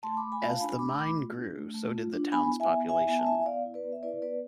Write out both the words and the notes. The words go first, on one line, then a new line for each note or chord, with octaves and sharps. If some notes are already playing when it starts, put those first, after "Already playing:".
As the mine grew, so did the town's population.
A3 A5 C6
B5 D6
A3
G#5 B5
F4
F5 A5
D4 G#5 B5
A3 B5 D6
A3 B5 D6
F4
D4
A3
A3
F4
D4
B3 G#5 B5
E4
E5 G#5
B3
E4 E5 G#5
B3 E5 G#5
A5
E4 E5 G#5
B3 D5 F5
E4
B4 D5
B3
E5
E4 B4 D5
B3 B4 D5